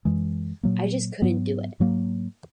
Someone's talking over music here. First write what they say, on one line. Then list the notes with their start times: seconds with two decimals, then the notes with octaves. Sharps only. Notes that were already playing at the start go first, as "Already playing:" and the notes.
I just couldn't do it.
0.05 F#2 E3 G#3
0.63 A#2 F#3 A#3
1.22 G#2 F#3 B3
1.80 G#2 F#3 A#3